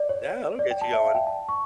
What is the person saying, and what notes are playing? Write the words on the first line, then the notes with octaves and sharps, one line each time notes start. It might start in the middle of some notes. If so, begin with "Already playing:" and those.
Yeah, it'll get you going.
Already playing: D5
C#5
D5
G5
A5
E5
F5
G5
A5
C#6